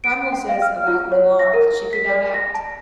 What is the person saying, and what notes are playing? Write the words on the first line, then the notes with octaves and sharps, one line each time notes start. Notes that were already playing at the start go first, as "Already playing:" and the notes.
Cromwell says about Lamarr that she could not act.
D7
G5
F5
F6
F4
C#5
A#6
A#4
B6
D5
A#6
A5